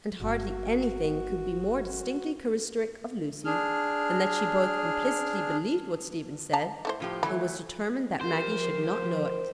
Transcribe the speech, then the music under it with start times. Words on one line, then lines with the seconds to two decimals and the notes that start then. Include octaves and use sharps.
And hardly anything could be more distinctively characteristic of Lucy than that she both implicitly believed what Stephen said, and was determined that Maggie should not know it.
0.20 G1 F#4
3.45 D4 G#4 F6
6.53 A5 A#5
6.85 A3 E4 C5
7.00 A2 F3 G4
7.23 E3 F#3 A3 B5
8.21 F3 G4 A#4 C5